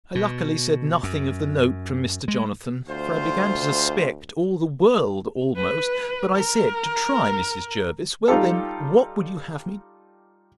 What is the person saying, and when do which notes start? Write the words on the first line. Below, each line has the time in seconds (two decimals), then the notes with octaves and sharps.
I luckily said nothing of the note from Mr. Jonathan; for I began to suspect all the world almost: but I said, to try Mrs. Jervis, Well then, what would you have me do?
0.15 B2
1.03 F#2
2.28 G#3
2.88 D2 F4 C5
5.57 B4
6.35 A#4
8.28 G3 D#4 F4 G4 A4